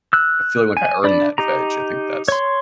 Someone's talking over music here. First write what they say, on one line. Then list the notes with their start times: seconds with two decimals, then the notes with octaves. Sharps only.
I feel like I earned that veg. I think that's
0.13 E6 F#6
0.77 G#5
1.04 D4 D5 B5
1.38 D#4 G4 A#5
2.28 C#5 C6